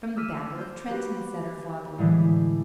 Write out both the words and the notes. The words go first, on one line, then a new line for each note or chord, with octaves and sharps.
"From the battle of Trenton," said her father.
D6 E6 F6 B6 D#7 E7
C5 G6
F#4 G4 B4
A2 D3 E3 G3 G#3